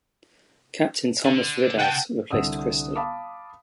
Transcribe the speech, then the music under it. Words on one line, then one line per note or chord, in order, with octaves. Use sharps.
Captain Thomas Ridout replaced Christie.
D3
C#3 F#5 G5 A5
C2 D3 F#5 D#6 E6
F5 A5 B5 D6 D#6